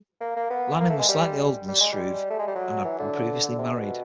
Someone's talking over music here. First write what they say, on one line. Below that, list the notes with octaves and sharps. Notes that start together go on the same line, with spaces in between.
Lanning was slightly older than Struve and had been previously married.
A#3
A#3
B3
A#3
A3
G#3
G3
G3
G#3
G3
A3
G#3
G3
F#3
E3
D3
D3
C3
B2